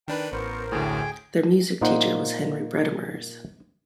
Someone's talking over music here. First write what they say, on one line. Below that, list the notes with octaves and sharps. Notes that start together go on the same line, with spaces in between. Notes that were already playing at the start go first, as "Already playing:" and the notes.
Their music teacher was Henry Bredemers.
D#3 D4 B4 G5
A1 B3 A#4 C5 C#6
D2 A2 G#4 G5 G#5
A#2 A#3 D#4 C5 F#5